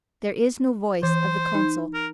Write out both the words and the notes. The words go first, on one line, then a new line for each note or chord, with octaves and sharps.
There is no voice of the council.
E3 C5
D#4
A#4